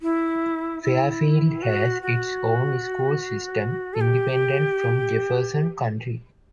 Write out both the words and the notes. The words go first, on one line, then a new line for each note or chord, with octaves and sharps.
Fairfield has its own school system, independent from Jefferson County.
E4
E4
F#4
F#4
A4
G4